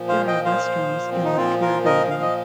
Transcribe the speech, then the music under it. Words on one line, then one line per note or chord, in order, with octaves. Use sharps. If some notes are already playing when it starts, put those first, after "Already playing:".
There are restrooms in the pier building.
Already playing: A#2 F3
C5 F5
D#5 G5
C5 F5
A#2 F3
C4
D#4
A#2 F3 C4 F4
F4 A#4
A#4 D#5
A#2 F3 F5
D#5